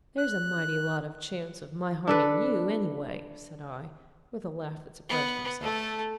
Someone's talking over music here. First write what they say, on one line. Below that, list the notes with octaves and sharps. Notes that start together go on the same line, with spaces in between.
"There's a mighty lot of chance of my harming you, anyway!" said I, with a laugh that surprised myself.
F#6
D4 A4 B4
B3
A3 A4